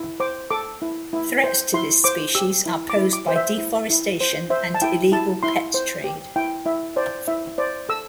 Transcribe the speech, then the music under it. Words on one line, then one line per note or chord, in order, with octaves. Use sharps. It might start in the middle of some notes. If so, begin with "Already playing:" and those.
Threats to this species are posed by deforestation and illegal pet trade.
Already playing: E4
C5 D6
A4 D6
E4
E4
C5
E4 C6
C5 D6
G4 E6
E4
D6
E4
D6
C5
E5
E4
E4
C5
C5 E5
A5
E4 G5
E4 A5
E4 C6
C5
G4
E4 G5
E4 E5
C5 D5
E4 E5
C5 D5
A4 E6